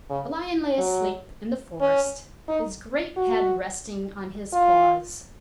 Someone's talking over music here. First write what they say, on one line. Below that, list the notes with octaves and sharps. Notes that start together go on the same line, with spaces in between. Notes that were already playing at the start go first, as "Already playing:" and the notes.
A Lion lay asleep in the forest, his great head resting on his paws.
C#3
F#3
C#4
D#4
F#4
F4